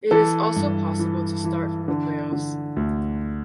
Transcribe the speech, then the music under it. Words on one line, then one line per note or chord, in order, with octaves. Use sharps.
It is also possible to start from the playoffs.
E3 A4
G2
E3
E3
D3
D3
D2